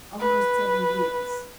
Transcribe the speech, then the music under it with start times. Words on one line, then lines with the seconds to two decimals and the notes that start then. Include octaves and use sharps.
"Almost seven years."
0.20 B4